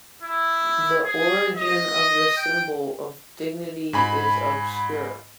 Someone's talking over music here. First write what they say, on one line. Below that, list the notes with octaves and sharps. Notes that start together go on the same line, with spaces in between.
The origin of this symbol of dignity is obscure.
E4
G#4
D#5
G5
G#2 G#5 B5